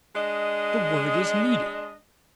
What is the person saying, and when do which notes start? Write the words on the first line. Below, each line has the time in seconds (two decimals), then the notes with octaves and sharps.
The word is needed.
0.15 G#3 D4 D#5